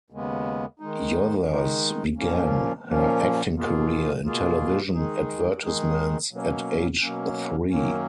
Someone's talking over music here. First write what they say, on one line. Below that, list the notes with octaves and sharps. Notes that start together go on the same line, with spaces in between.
Yothers began her acting career in television advertisements at age three.
D#2 C#3 G#3 B3
D#3 G#3 D#4
D#3 G#3 D#4
A#2 F3 A#3 C#4
A#2 F3 A#3 C#4
B2 A#3 F4 G#4
B2 A#3 F4 G#4
D#3 G#3 D#4 G#4
D#3 G#3 D#4 G#4
B2 F#3 A#3 C#4
B2 F#3 A#3 C#4
F#2 D#3 F#3 A#3 C#4